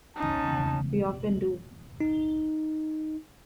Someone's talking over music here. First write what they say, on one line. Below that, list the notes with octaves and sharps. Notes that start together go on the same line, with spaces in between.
We often do.
F#3 C#4 D#4 F#5 A5
D#4